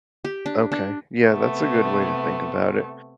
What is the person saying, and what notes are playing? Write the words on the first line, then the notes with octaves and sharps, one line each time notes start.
Okay, yeah, that's a good way to think about it.
G4
D4
D4
C3 A3 B3